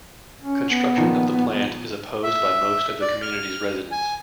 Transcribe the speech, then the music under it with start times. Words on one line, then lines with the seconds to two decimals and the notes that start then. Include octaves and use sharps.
Construction of the plant is opposed by most of the community's residents.
0.42 C#4
0.70 B3
0.97 A#2 D#3 F3
2.23 E5
3.02 D5
3.22 F6
3.92 G#5